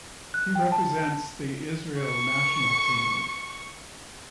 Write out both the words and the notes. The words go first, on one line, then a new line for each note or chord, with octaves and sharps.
He represents the Israel national team.
F#6
G5
A5
C#6 C#7